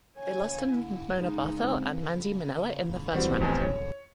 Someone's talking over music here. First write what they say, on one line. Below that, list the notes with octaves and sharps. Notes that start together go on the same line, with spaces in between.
They lost to Mona Barthel and Mandy Minella in the first round.
C#5 G#5
E4
G#3 D#4
C#2 C4
E3 G3 C4 F#4
A1 F2 C3 B3 G#5
C#5